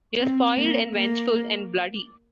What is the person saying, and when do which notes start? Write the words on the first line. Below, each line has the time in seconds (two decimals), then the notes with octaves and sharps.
You're spoiled and vengeful and bloody.
0.20 C4
0.57 A#3
0.95 A#3